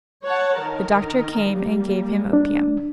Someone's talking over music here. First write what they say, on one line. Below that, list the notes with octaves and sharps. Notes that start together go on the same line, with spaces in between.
The doctor came and gave him opium.
C#5 F#5 A5
D#3 A#4
G3 A#3
D4